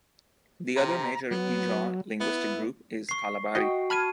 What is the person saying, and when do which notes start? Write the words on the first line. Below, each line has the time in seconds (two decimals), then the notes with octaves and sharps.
The other major Ijaw linguistic group is Kalabari.
0.76 C3 A#5
1.31 F#3 B3
2.20 B3 E4
3.09 C#6 C7
3.55 F#4 D#5 G5 D#6
3.90 A5 B5 F6 G#6 D#7